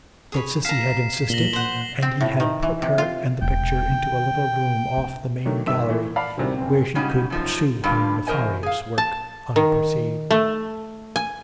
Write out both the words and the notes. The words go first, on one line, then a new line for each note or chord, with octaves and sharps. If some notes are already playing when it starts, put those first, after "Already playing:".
But Cissy had insisted, and he had put her and the picture into a little room off the main gallery, where she could pursue her nefarious work unperceived.
G#4 C#5 B5
F5 A#5 B6 C7 E7
A#2 A#6 F#7 G7
C5 F#5
C4
A2
D#3
E3
C3
F4
E1 G5
D#3
D4
D3 D#3 F#3 A3
G1 D#3 E5 E6
A2 E3 A3 A#3
D5 F5 F#5 A5 B5
D2 A2 C3 D#3 G3
F#1 C4
G#2 C#3 G3 C#4 D#4 F#4
F#2 F3 D#4
G2 D3 G3 F4
E2 A#4 C5 D#5 G#5
G#4 F5
A5
D#3
A3
G#5